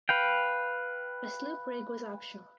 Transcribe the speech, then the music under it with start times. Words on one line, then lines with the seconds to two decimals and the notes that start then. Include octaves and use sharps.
A sloop rig was optional.
0.09 B4 F5 G5